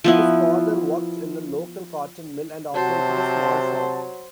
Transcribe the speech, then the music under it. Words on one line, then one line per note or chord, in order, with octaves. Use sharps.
His father worked in a local cotton mill and operated a small farm.
F3 B3 E4
C3 F#3 F#4 C5 A5